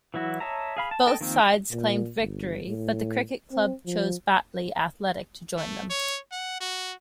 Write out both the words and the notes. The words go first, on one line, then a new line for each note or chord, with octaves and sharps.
Both sides claimed victory but the cricket club chose Batley Athletic to join them.
E3 F#3 E4 F#4
C#5 D#5 E5 A5 A#5
G#4 F5 B5
A5
A4 D#5 G5 A5
D#3 F3 A#3 C4
A#2
G1
A2
C4
F3
A3
C#5
F#5
F#4